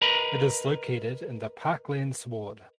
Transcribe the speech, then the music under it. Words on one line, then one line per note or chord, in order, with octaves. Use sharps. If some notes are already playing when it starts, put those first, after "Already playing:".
It is located in the Parklands ward.
A#4 B4 D#5 G#5 A#5 B5